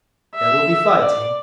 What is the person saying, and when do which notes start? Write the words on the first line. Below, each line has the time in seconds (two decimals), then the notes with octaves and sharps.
There will be fighting.
0.36 E5
1.00 D5